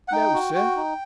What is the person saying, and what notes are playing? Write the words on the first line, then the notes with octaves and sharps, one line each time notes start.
"No, sir."
F#5
D#4 G5
F#4
F#4
D#4